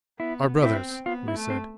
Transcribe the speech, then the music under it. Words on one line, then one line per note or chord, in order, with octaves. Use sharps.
"Our brothers!" we said.
B3 E4
C4 E4
B3 F4
E4
A3
C4